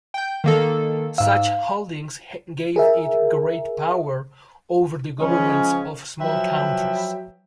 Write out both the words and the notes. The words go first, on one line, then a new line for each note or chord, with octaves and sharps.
Such holdings gave it great power over the governments of small countries.
G5 G6
D#3 A#3 A4
G#2 F5 E6
G#4 A#4 E5
C#3 F3 G#3 C#4
F3 F#3 B4 E5 G5